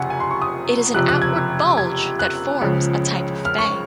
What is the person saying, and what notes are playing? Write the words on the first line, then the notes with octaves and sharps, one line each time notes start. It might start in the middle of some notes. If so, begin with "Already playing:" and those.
It is an outward bulge that forms a type of bay.
Already playing: F#1 F2 C3 F3 F#5 G#5
G#5
C6
C#6
D#6
F#1 F2 C3 F3 F#6
F#6
G#6
G#6
F#6
C#2 C#3 F3
F6
C#6